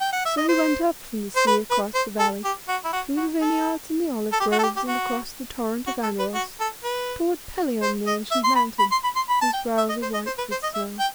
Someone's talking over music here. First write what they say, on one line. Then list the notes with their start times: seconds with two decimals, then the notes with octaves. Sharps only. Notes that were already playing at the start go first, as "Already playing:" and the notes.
So he went up from the sea across the valley, through the vineyards and the olive groves, and across the torrent of Anauros, toward Pelion the ancient mountain, whose brows are white with snow.
0.01 G5
0.13 F#5
0.25 E5
0.37 D#5
0.49 C5
1.36 C5
1.47 B4
1.71 B4
1.95 C5
2.19 A4
2.44 G4
2.69 F#4
2.85 E4
2.93 F#4
3.17 F#4
3.42 A4
4.33 A4
4.40 G4
4.52 F#4
4.59 A4
4.64 G4
4.76 G4
4.88 F#4
5.87 F#4
6.03 A4
6.19 B4
6.35 F#4
6.60 A4
6.84 B4
7.82 C5
8.07 D#5
8.31 E5
8.44 C6
8.55 B5
8.79 B5
8.92 C6
9.04 B5
9.16 C6
9.29 B5
9.41 A5
9.53 G5
9.78 E5
9.89 D#5
10.02 C5
10.14 D#5
10.27 C5
10.38 B4
10.51 C5
10.63 D#5
10.75 E5
10.99 G5